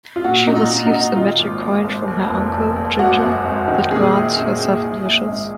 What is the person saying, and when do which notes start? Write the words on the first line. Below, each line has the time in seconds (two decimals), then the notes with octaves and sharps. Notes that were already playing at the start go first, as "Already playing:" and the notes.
She receives a magic coin from her uncle, Ginger, that grants her seven wishes.
0.16 F4
0.24 A#2 F#4
0.47 A#2 D#4
0.55 F4
0.70 A#2
0.86 D#4
0.94 A#2
1.16 D#3 F4
1.39 G#1
1.62 G#1
1.84 G#1
2.08 D#2
2.30 F1
2.54 F1
2.76 D#2
2.99 G#1 F#4
3.22 F#2
3.45 G#1
3.68 D#3
3.91 A#2 G#4
4.13 A#1
4.37 A#2
4.59 A#2
4.83 A#1
5.05 A#1
5.28 G#2